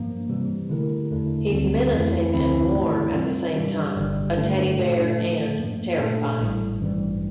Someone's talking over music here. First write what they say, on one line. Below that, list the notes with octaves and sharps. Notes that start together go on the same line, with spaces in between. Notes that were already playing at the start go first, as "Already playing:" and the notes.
He's menacing and warm at the same time, a teddy bear and terrifying.
Already playing: G2 F3 A#3
C3 E3 G3
D3 A3 E4 G4 A#4
E2 D3 A3 E4
D2 D3 G3 C4
F2 E3 A3 E4
D2 D3 F3 C4 E4
G2 E3 A3 E4
C3 G3 C4 F4
G2 E3 G3 D4 G4
G1 G2 D3 G3
G2 D3 A3
A#2 A3 D4 A4
A2 F3 A3
G2 F3 A#3
A#2 A3 D4 A4
A1 A2 G3
A1 G2 E3 G3